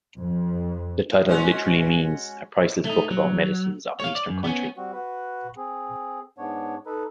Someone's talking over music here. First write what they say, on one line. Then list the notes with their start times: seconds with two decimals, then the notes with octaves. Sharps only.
The title literally means "a priceless book about medicines of an Eastern Country".
0.18 F2
1.28 G#3 C#4 F#4
2.85 A3 D#4
3.11 F#3
4.00 C#5 F5
4.15 D5
4.28 F#2
4.44 B3 C#4
4.77 G3 C4 F#4
4.93 F#4 B4
5.57 C4 G#4
6.38 G#2 B3 D4 C#5
6.86 D#4 A4 B4